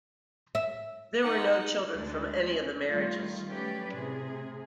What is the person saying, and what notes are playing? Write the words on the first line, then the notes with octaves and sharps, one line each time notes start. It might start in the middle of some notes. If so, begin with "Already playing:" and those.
There were no children from any of the marriages.
E5
D#4 F#5
D2 G#3 D4
C#4
D#3 G3 A3 F4
F#3 A3 C#4 G4 B4 D5
A2 C3 G#4